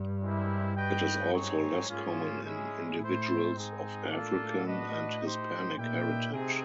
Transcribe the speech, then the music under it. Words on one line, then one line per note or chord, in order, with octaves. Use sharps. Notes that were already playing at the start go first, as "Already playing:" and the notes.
It is also less common in individuals of African, and Hispanic heritage.
Already playing: G2
G#3 C4 E4 G4 A#4
F#4 B4 D#5 G5
G#2 C4 D#4 G#4 C#5
A#3 C#4 F4 G#4
G#3 C#4 E4 G#4
A2 E4 A4 C5
G#2 C4 D#4 G#4
A2 A#3 D4 F4 A4
D4 F#4 B4 D#5
D#4 G4 C5
A#2 D#4 G4 B4 E5 G5
C3 A3 C4 D#4 G#4